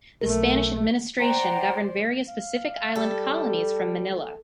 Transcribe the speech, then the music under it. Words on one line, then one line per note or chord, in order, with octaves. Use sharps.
The Spanish Administration governed various Pacific island colonies from Manila.
B1 A3 A#4
C5 D5 F#5 G5 A#5
F5
G3 A4